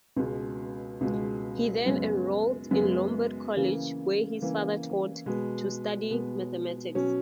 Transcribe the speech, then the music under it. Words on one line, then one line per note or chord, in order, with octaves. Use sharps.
He then enrolled in Lombard College where his father taught, to study mathematics.
C#2 B2 G#3
C#2 B2 G#3
F#2 C#3 G#3 B3
F#2 C#3 G#3 B3
C#3 E3 A#3
C#3 E3 A#3
B2 G#3 B3
B2 G#3 B3
B2 F#3 C#4